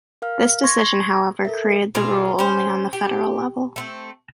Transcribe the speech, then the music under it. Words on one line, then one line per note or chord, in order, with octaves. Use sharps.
This decision, however, created the rule only on the federal level.
A#4 F5 F6
C6 C#6 G#6 A#6
A4 A#4 E5
B2 D4 F4 G#4
C#4 C5
G4
A3 B3 C4